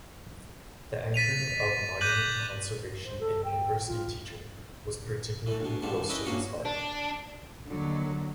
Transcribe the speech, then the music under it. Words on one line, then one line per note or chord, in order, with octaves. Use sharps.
The anchoring of monument conservation in university teaching was particularly close to his heart.
A6 B6 D#7 F7
D6 F#6 G6 A#6 D#7 F#7
C5
A4
G5
F4
E3 A3
D2 B2
A1 G#2 F3 G3 A3
C#4 E4 B4 D#5 E5 G5
A#1 A#3 C#4 F#4 A#5 C#6
D4
D#2 D3 F#3